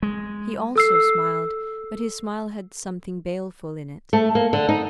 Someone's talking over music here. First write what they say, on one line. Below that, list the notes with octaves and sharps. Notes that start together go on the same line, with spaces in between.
He also smiled, but his smile had something baleful in it.
G#3
A4 E6 C7
A3
A#3
D3
D#4